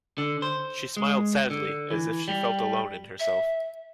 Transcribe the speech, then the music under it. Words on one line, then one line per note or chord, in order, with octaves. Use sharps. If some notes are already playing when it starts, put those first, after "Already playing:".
She smiled sadly, as if she felt alone in herself.
D3
C5
G#3
D3
E3
G3
E5